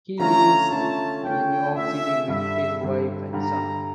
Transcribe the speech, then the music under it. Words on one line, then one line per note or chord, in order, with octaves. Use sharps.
He lives in New York City with his wife and son.
D3 A3 C#4 F4 A#5
D3 A3 C#4 F4 A5
D3 A3 C#4 F4 G5
D3 A3 C#4 F4 E5
G2 D3 G3 E5
G2 D3 G3
G2 D3 G3 A#5